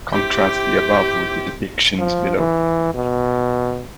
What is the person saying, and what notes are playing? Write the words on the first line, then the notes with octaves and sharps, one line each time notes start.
Contrast the above with the depictions below.
C4 E4 G4
F3
E3
B2